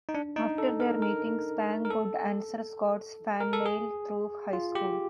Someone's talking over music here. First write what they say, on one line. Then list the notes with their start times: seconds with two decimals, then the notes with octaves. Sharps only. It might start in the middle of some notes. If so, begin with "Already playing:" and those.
After their meeting, Spang would answer Scott's fan mail through high-school.
0.09 D#4
0.15 D4
0.36 D#4
0.58 A4
0.80 A#4
1.02 A#4
1.85 A#4
1.90 A4
3.41 A#4
3.53 A4
3.66 G#4
4.53 F4
4.75 G4